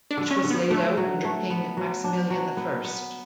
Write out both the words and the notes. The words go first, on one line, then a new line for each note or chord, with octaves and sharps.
It was laid out under King Maximilian the First.
D4
D3
C#4
D3
B3
D3 A3
F#3
A3
B3
F#3
D4
F#3
B3
B3